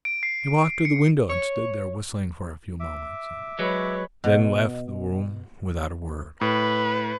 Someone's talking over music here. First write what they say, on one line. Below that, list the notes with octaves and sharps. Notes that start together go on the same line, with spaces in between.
He walked to the window and stood there whistling for a few moments, and then left the room without a word.
D7
C7
C#7
C#5
E5 D6
F#3 G#3 B4 C#5 B5
B2
A2 B4